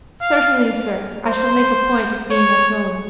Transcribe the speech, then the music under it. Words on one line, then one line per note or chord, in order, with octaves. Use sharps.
"Certainly, sir, I shall make a point of being at home."
F5
C5
C#5